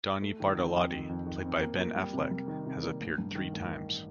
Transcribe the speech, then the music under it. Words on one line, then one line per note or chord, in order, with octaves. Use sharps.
Donnie Bartalotti, played by Ben Affleck, has appeared three times.
A3
D#3
C4
F2
D#3
F2
D#3
C4
A#3
A#3
G3
C3
G3
D#3
C3
A#3
A1
G2
D#3
A1
D#3